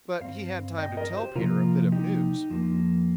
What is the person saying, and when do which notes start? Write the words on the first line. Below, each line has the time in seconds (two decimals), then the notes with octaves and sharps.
But he had time to tell Peter a bit of news.
0.21 G2 G3 C4 C5 F5
0.78 D#5 G5
0.97 A#4 D#5
1.17 G4 C5
1.35 C3 F3 A#3 F4 A#4
1.92 D#4 G4
2.50 F2 F3 A#3